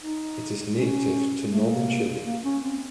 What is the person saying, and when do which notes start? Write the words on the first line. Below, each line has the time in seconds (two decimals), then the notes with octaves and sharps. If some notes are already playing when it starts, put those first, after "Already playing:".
It is native to northern Chile.
0.03 D#4
0.77 C#4
1.52 A3
1.70 A#3
2.26 A#3
2.44 C#4
2.63 C4